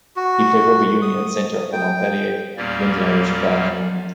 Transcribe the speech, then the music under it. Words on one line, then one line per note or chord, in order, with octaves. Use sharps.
He played rugby union at centre for Montpellier, London Irish, Bath and England.
F#4
D#6
G5
E2 A#2 G3 A#3 C#4 D5